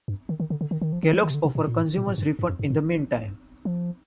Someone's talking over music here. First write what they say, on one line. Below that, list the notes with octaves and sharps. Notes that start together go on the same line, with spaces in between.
"Kellogg's" offered consumers refunds in the meantime.
G2
D#3
D#3
D3
D3
D#3
D#3
F3
D#3
F3
D#3
C3
D3
C3
A#2
A#2
A2
A#2
A2
G2
G2
F2
G2
A2
F3